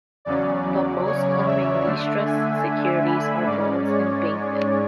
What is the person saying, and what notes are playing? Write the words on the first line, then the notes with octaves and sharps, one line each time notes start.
The most common distressed securities are bonds and bank debt.
E2 C#3 F#3 C#4 D5
C#5
E5
D3 A3 D4
G#5
B5
G#2 G#3 C#4 D5
C#5